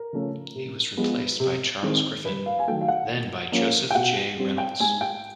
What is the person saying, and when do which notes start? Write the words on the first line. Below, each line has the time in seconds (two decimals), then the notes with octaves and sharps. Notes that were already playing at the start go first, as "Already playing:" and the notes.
He was replaced by Charles Griffin, then by Joseph J. Reynolds.
Already playing: A#4
0.13 C#3 F3 A3 C#4
0.55 C3
0.97 F3 G#3 B3
1.40 C3
1.83 D#3 G#3 C4
2.24 G2 B4
2.46 F5
2.59 G#5
2.67 D#3 F#3 A3 G5
2.81 F5
2.88 F#5
3.10 A#2
3.52 F3 A#3 C#4
3.90 G5
3.95 B2 F#5
4.37 G3 C4
4.58 G5
4.80 G#2 G#5
5.01 G5